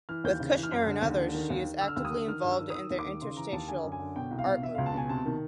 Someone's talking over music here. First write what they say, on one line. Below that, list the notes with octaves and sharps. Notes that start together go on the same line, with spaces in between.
With Kushner and others, she is actively involved in the Interstitial art movement.
E3 F6
D#2 G6
C#3
E3
F6
F#2
D3
D#2
D3
D#3
D#2
D#3
D3 E6
F6
D#2 E6
D#6
D3
D#3 F6
G2
E6
D#3
D#6
D#3 E6
D#2
D6
D#3
C#3 C6
E3 A#5
D#2 A5
D3 G#5
F#2
G#5
D3
B2 G5
C2
F5
B2
B2 E5
C#2 F5
A5
B2 G#5
C3 A5
D#3